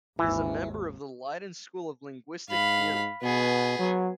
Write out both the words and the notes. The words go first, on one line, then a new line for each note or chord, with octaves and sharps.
He is a member of the Leiden School of linguistic theory.
G#1 D#2 E3
G#2 F5 B5
B2 B3 G#4
F#3